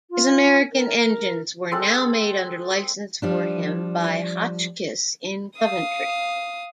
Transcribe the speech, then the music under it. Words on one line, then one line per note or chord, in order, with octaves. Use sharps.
His American engines were now made under licence for him by Hotchkiss in Coventry.
F4
A#4
G#3 C4 A4 F#5
F3 G3 D4
F5 D#6